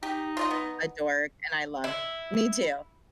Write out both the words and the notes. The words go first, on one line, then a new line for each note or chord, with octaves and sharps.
a dork, and I love Me, too.
D#4 G4
F4 D5 D#5
B3
E4